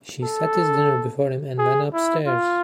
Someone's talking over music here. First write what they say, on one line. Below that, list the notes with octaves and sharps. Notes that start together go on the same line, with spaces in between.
She set his dinner before him, and went upstairs.
A4
G#4
E4
F4